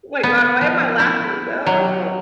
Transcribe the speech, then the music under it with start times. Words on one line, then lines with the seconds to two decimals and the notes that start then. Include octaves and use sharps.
my god, why am I laughing? No,
0.23 B3
0.61 F3
0.99 E4
1.66 F#3